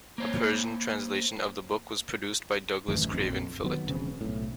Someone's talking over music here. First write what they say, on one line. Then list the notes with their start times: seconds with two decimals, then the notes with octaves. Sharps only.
A Persian translation of the book was produced by Douglas Craven Phillott.
0.18 A#3 C5 C#5
2.88 A1 F#2 D#3 E3
3.14 A#1 F2
3.64 D#3 F#3 B3
3.87 E1 C#3 C4
4.21 B1 A2